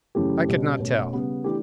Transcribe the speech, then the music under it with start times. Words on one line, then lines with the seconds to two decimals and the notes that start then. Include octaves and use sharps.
I could not tell.
0.15 F#2 C#3 E3 A3 C#4 G4
0.47 B2 G3 C#4
0.80 B2 A3 C#4
1.13 C#3 G3 B3
1.44 E3 A3 D4 G4